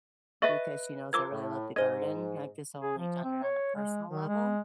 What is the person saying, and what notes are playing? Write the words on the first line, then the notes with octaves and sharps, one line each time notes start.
because she knows I really love to garden. I've just only done it on a personal level
B4 D#5 E5 C#6 A6
F3 F4 A#4 D6 E6 G#6
A2
G#2 C5 D#5 G#6
G#4
F3
C4
C#5
G#3
D#3
G#3